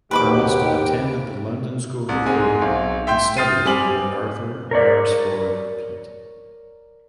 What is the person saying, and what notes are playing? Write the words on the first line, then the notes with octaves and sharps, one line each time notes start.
Ernest attended the London School of Building and studied under Arthur Beresford Pite.
D#2 G#2 B2 G4 B4 B5 D6
C2
G#2 G#3 C4 G#5
B1
E5 G5 C6 G6
G5 D#6 F6 A6 C7 D#7
G3 C4 G#5 D6 F#7
A#4 C#5 D5